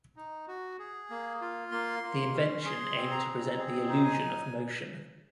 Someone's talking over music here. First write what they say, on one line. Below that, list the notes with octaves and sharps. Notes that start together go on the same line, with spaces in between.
The invention aimed to present the illusion of motion.
D#4
F#4
G#4
A#3
F4
A#3 C6
A#3
C#4
G#4 C6
C4
A#5
C4
G#4
D#4
G#5